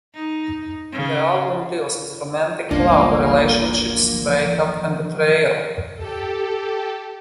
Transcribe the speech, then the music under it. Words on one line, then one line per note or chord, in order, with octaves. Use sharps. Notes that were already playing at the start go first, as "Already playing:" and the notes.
The album deals with romantic love, relationships, break up and betrayal.
D#4
C#3
G1 C#2 A#3 D4 F4
G4 A4